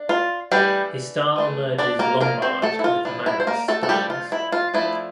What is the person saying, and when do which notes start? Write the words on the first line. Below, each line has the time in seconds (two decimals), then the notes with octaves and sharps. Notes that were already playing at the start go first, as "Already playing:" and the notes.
His style merges Lombard with Mannerist styles.
Already playing: D4
0.09 F4
0.52 E3 G3 A3 D4 G4
1.36 E3 A3 D4
1.78 D4 D5
1.99 A#3 A#4
2.21 A3 A#3 D4 A#4
2.25 F3
2.42 C4 C5
2.62 A3 A4
2.79 E4
2.84 F4
3.05 F3 A3 D4 E4
3.26 E4
3.40 C5
3.47 A#3 A#4
3.68 A3 A4
3.83 A4
3.89 F3 G3 A3 D4 G4
4.10 F4
4.32 E4
4.52 F4
4.74 F3 A3 D4 E4